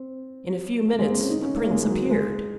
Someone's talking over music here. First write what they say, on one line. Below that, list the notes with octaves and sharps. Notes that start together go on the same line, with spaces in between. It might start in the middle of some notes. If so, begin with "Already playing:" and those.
In a few minutes the prince appeared.
Already playing: C4
A#3
G#3
C4
C#4
D#4
C#4
A#3
G#3
G#3
F#3
G#3